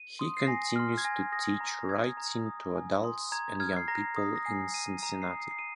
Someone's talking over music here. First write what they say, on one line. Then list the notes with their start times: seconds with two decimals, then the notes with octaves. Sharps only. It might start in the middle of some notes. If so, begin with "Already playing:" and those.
He continues to teach writing to adults and young people in Cincinnati.
Already playing: D#7
0.19 C6 D#6
0.37 C7
0.47 G#5 A#6
0.76 C6 F6
0.98 G#6
1.04 G#5 A#6
1.32 D#6 A#6
1.60 A#5
1.89 D#6 G#6
2.17 A#5
2.46 D#6
2.75 G#5
3.04 C6 D#6
3.32 A#5 G#6
3.60 F6 G#6
3.76 C7
3.88 A#5 A#6
4.16 D#6
4.36 A#6
4.45 G#5 C7
4.73 D#6 D#7
5.02 A#5 D#7
5.22 C7
5.31 D#6
5.40 C7
5.51 C7
5.59 A#5 D#7